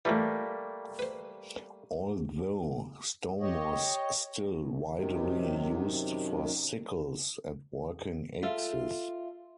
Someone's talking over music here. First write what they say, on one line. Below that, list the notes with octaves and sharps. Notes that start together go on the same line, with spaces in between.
Although stone was still widely used for sickles and working axes.
A2 E3 G3 A3 A#3
B4 C5
G4 C#5 D#5
F#2 C3 D#3
F4 A4 E5 F5